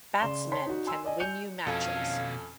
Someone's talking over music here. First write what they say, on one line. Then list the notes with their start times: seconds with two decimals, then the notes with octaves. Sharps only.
Batsmen can win you matches.
0.20 C#3 D5 C6 E7 G7
0.52 C#5 A5 C6 B6
0.66 D#4 F#4
0.87 G#5 C6 E6
1.05 D5 D#5 G#5
1.20 G#5 G6 C#7 F7
1.67 F2 B2 C#4 A4 F5 G#5